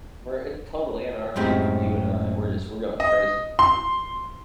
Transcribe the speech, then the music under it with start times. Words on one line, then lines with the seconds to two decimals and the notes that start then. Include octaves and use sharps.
we're a total anarchy for you and I. We're just we're going crazy.
1.36 F#2 A2 G#3 C4 D#4 G4
3.00 D#5
3.59 C6